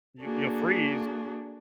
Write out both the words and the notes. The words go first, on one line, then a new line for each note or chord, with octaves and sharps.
you’ll you'll freeze.
A#3 D4 F#4 G#4 A4